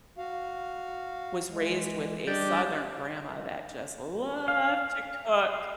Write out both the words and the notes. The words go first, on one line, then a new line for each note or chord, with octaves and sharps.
was raised with a southern grandma that just loved to cook
F#4 F5
E3 G#3
G3 D4 G4 D5 D#5
F5